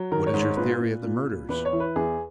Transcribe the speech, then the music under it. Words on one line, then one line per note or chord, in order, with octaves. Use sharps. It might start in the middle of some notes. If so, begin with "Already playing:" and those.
"What is your theory of the murders?"
Already playing: F#3
D#3 A#4
C#5
G#2
C#5
A#2 B4
A#2
A#2
A#2
E2 B4
C#5
E3
B4
E2 G#4